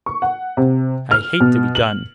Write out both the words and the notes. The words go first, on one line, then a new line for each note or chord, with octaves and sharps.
I hate to be done.
C#6
F#5
C3
F6
B2
F#7